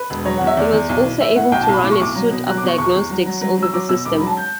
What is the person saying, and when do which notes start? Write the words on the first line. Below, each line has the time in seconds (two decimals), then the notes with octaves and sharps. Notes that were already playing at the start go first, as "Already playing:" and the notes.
It was also able to run a suite of diagnostics over the system.
Already playing: B4
0.10 E1
0.25 F#3 C#5
0.38 E2 F#5
0.47 E5
0.57 E2 D5
0.72 E2
0.89 B1
1.05 E3
1.20 A2 E5
1.36 A2 F#5
1.52 B1 G5
1.62 A5
1.68 B1 B5
1.84 A2 D6
1.92 C#6
2.00 B1 D6
2.15 F#3
2.31 B2
2.46 F#3 F#6
2.57 D6
2.63 B2 C#6
2.78 E2 C#6
2.95 E2
3.10 F#3
3.26 F#3
3.41 F#3
3.58 F#3 E6
3.73 F#3 D6
3.89 B2 E6
4.05 E1 D6
4.15 B5
4.21 F#3
4.27 A5
4.37 G6